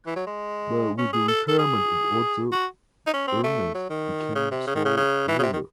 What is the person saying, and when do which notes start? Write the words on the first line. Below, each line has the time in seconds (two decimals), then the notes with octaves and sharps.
But with the retirement of Otto, Ernest became sole ruler.
0.07 E3
0.16 F#3
0.27 G#3
0.98 C#4
1.13 G#4
1.28 A4
1.48 A4
1.59 G#4
2.52 F#4
3.07 D#4
3.14 C#4
3.28 C4
3.44 A3
3.75 F#3
3.90 D#3
4.35 C#3
4.51 C3
4.67 C#3
4.75 D#3
4.85 C#3
4.97 C#3
5.28 E3
5.39 C#3
5.43 C3
5.53 D#3